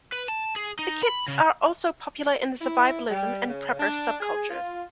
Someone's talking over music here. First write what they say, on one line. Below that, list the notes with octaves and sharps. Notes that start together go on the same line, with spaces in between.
The kits are also popular in the survivalism and prepper subcultures.
B4
A5
G#4
D#4
B5
C#3
E4
G3
C#3
D4
G#4
F4